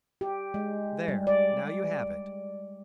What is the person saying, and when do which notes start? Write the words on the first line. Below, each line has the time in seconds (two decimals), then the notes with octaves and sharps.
There! now you have it.
0.21 G4
0.54 G#3
1.08 G3
1.27 D5